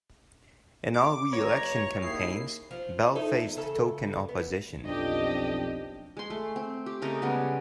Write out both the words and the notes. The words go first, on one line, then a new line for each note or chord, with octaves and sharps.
In all re-election campaigns, Bell faced token opposition.
D6
G1 C#5 A#5
D#2 E4 G#4 C7
F3
D#4 E4 A4
E2
C#3 A4
B3
B1 F2 D4 G4 D#5
G#3 C6
A3
C4
G4
C#3 A3 A#4 D#5
C#3 G3 G#3 B3